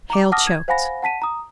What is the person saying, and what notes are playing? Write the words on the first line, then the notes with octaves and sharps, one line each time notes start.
Hale choked.
A#5 D6
F#5 A5 D6 D#6 F6 A#6
G#6
C5 F5 F#5 G#5 B5 A#6
F#5 A5 B6 D#7
A#5 D#6